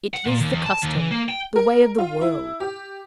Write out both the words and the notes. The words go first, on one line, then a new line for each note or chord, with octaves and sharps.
It is the custom, the way of the world!
F#5
A#2
D#2
E2
A5
D#2
E3
A#3
G5
A#4
F4
E4
G4